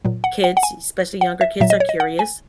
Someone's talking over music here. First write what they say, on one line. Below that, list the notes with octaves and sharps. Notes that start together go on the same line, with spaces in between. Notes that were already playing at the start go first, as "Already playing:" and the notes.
kids, especially younger kids, are curious.
A#2 F#3
F#5
F#5
F#5
G#5
F#5
E5
A#2 F#3 E5
D#5
C#5
D#5
F#5
G#5